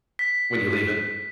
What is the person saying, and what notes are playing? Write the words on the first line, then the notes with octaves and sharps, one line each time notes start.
when you leave it
B6